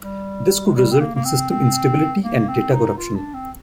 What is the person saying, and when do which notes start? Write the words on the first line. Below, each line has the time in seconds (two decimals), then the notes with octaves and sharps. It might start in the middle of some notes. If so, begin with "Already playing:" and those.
This could result in system instability and data corruption.
0.02 G3
0.67 G#3
0.76 G3
0.91 C4
1.01 A#3
1.15 A#3
1.25 C4
1.50 C4
2.23 A#3
2.48 C4
2.72 D#4
2.97 F4
3.15 D4
3.34 C4